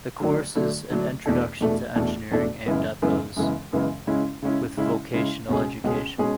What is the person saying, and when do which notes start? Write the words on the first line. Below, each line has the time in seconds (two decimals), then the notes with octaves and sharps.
The course is an introduction to engineering aimed at those with vocational education.
0.20 D3 F#3 A3 D4
0.55 D3 F#3 A3 D4
0.90 D3 F#3 A3 D4
1.26 E2 B2 A3 D4 A4
1.61 E2 B2 A3 D4 A4
1.96 E2 B2 A3 D4 A4
2.31 E2 B2 A3 D4 A4
2.66 F#2 C#3 E3 G#3 B3
3.02 F#2 C#3 E3 G#3 B3
3.36 F#2 C#3 E3 G#3 B3
3.73 F#2 C#3 E3 G#3 B3
4.07 C#3 G#3 C#4 E4
4.42 C#3 G#3 C#4 E4
4.77 C#3 G#3 C#4 E4
5.13 C#3 G#3 C#4 E4
5.48 C#2 B2 G#3 C#4 G#4
5.84 C#2 B2 G#3 C#4 G#4
6.18 B2 G#3 C#4 G#4